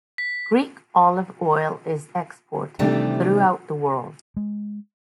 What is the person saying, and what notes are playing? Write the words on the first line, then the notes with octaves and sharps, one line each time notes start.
Greek olive oil is exported throughout the world.
B6
C3 D#3 E3 G3 A3 D4
G#3